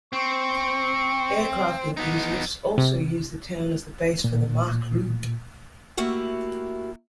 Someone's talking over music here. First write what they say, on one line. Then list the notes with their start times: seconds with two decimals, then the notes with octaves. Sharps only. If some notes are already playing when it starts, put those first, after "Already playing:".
Aircraft enthusiasts also use the town as the base for the Mach Loop.
0.13 C4 C#6
1.97 B3 D#4
2.78 C3
4.24 A#2
5.97 A3 A#3 E4 F#4 G4